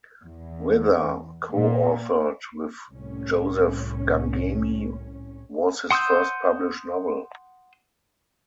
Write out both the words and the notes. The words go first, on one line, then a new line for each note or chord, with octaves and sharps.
"Wither," co-authored with Joseph Gangemi, was his first published novel.
E2
A#2
C2 A2 C#4
F#5 C6 D#6 E6 G6